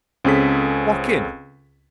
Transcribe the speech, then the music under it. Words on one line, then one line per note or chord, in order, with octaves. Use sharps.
Walk in.
C#2 C4 C#4 G#4 A4 B6